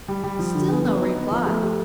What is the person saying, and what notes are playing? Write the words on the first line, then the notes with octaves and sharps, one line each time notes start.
Still no reply.
G3
G3
F3
D3
B3
B3
D#4
B3
F3
A3
G4